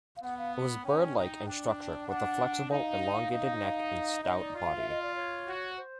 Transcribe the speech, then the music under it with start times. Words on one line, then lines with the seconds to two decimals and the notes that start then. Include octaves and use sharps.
It was bird-like in structure, with a flexible, elongated neck and stout body.
0.16 F5
0.22 B3 F#5
0.38 F5
0.84 C#4 G5
1.15 D#4
1.46 D4 G5
2.07 D4 F#5
2.70 D#4 F5
3.30 D#4
3.62 F5
4.23 D#4 D#5
4.39 D5
4.55 F4
4.63 F5
4.77 E5
4.89 D#5
5.02 D5
5.15 C#5
5.46 F#4
5.77 C5